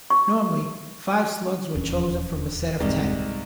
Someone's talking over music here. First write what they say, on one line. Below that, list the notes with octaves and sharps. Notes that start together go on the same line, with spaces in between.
Normally five slugs were chosen from a set of ten.
C#6
D#1 E2 C#4
C2 G#2